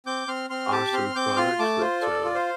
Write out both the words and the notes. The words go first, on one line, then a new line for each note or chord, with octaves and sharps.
awesome products that, uh,
C4 D6 G6
C4 C6 F6
C4 C6 F6
G4 A5 D6
C4 C6 F6
C4 D6 G6
F4 C6 F6
A3 A5 D6
F4 C5
A4 D5
F4
C5 F5